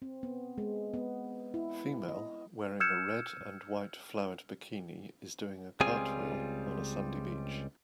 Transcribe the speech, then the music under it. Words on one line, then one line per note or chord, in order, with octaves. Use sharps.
Female wearing a red and white flowered bikini is doing a cartwheel on a sandy beach.
C4
B3
G#3
B3
E4
D#5
E6 F6 G6 G#6 C#7 E7
C#2 G3 C4 F4 G#4 G#5